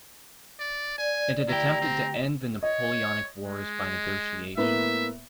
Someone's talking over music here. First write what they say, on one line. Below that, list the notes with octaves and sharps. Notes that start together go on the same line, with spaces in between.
It had attempted to end the Napoleonic Wars by negotiation.
D5
D5 G#5
D2 E4 G4 A#5
C4
C#5 D#5
G#3
A2 A#3 B3 E5